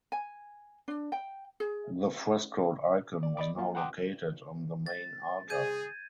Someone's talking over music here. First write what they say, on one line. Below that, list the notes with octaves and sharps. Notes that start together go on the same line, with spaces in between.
The frescoed icon was now located on the main altar.
G#5
D4
G5
G#4
D5
D5 D#5 B5 D6
F#3 A#3 F4
F#5 G5 C6 D6 D#6 F#6
A6
G#4 G6 G#6 D#7